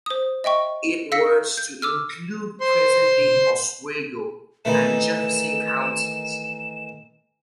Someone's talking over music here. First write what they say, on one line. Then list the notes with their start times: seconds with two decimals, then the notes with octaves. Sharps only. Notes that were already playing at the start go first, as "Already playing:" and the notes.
It was to include present day Oswego and Jefferson Counties.
0.06 C5 D#6
0.44 D#5 E5 G5 C#6
1.12 F5 E6 A#6 B6 C#7
1.57 G6
1.82 D6 E6 F6
2.60 C5 C6
4.65 D#3 E3 A3 E7